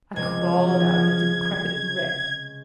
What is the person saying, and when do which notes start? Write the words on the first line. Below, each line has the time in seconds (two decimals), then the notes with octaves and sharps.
I crawled out a decrepit wreck.
0.16 C#2 C3 F3 G#6